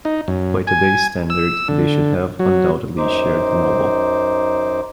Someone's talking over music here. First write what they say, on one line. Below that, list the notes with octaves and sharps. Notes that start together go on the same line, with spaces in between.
By today's standard, they should have undoubtedly shared the Nobel.
D#4
F#2
G#5
E6
D3
F#3
F#2 D#4 C5 D6